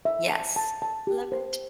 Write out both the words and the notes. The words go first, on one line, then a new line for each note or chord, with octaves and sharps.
yes, love it.
E5
A5
A5
A5
G4
C5